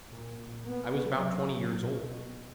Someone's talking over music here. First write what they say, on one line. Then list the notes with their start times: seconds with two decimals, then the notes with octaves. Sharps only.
I was about twenty years old.
0.11 A#2
0.66 B3
1.08 F#3
1.79 B2